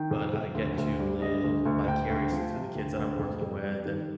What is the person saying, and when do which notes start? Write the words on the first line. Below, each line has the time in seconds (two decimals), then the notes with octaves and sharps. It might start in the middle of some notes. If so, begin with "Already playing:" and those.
but I get to live vicariously through the kids that I'm working with and
Already playing: D#3 G5
0.11 F2
0.33 F2
0.55 D2
0.78 D2
1.00 G3
1.21 D3 D#5
1.44 D2
1.66 D2
1.87 D2 G5
2.10 D2
2.32 F3
2.54 C3
2.75 D2
2.98 D2
3.19 F2
3.42 F2
3.64 G3
3.85 D#3